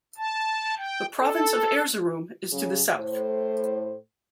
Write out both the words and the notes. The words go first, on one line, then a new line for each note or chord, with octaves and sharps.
The province of Erzurum is to the south.
A5
G5
A4
C#3 F#3
A2 C5